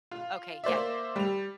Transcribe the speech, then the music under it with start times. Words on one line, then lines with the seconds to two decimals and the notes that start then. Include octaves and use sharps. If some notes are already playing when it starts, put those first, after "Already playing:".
Okay, yay.
0.11 F4
0.64 A#3 C5 D5 E5
1.16 G3 F7